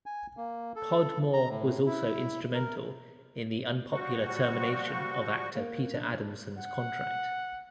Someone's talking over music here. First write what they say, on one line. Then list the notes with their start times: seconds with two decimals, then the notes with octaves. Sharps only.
Podmore was also instrumental in the unpopular termination of actor Peter Adamson's contract.
0.06 G#5
0.37 A#3
0.76 A4
1.33 A#5
1.49 A2
1.86 E4
2.54 A#4
3.92 F3 G3 F#4 C#6
5.55 A#3
5.94 D4
6.58 F#5